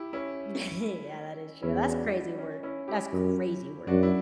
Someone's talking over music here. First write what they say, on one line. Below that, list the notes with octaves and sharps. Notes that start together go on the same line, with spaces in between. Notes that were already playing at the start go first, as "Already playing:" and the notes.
Yeah, that is true, that's crazy work. That's crazy work.
Already playing: E4 G4
C#4 E4
E2 C#4 E4
D4 F#4
C#4
C#4 E4
E4 G4
F#2
F#2 D4 F#4
E4